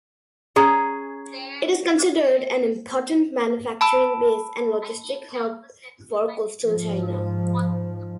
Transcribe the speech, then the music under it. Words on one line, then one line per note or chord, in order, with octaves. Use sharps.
It is considered an important manufacturing base and logistics hub for coastal China.
C#4 G#4 A#5
A5 B5 E6
G#2 F3